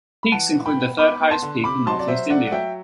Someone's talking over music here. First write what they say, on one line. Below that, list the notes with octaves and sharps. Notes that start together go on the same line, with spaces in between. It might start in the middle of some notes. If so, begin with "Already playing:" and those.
Peaks include the third highest peak in northeast India.
B5
E3 F#5 A5
A2
G5 B5
B3
B3 B5 D6
B3
A5 C6
D3
C3 B5 D6
F#3 A5 C6
D5
F#3 C5 E5
A3 D5 F#5
F#5
F#3 E5 G5